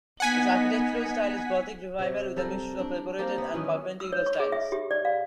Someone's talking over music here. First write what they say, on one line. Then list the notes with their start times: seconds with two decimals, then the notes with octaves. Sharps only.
Its architectural style is Gothic Revival, with a mixture of Decorated and Perpendicular styles.
0.20 B3 D#4 F#5 G#5 B6
1.99 C3 C#5
2.36 G3 A4 A#4
2.79 D4
3.19 A#3 C4 G4 A#4
3.38 B3
3.54 D#3 E3 F#3 C#4
4.00 E6
4.13 C#5
4.26 C#6
4.40 G#4
4.52 E5
4.72 G4
4.91 D5
5.05 F5